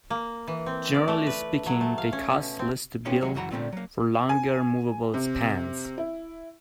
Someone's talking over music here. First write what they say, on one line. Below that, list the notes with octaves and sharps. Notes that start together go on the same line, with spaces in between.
Generally speaking they cost less to build for longer moveable spans.
A#3
E3
C4
D5
A3
B4
F#3
A3
F5
C#4
B2
C4
A#3 B3 C#4 F4 G4 G#4
D#2 C3 F#3 G#3 F#4
C#2 F#2 E3 F#4 F#5 A#5
A#2 D3 E3 A3 C4 F4
F#3 A#3
G#5
C3
E4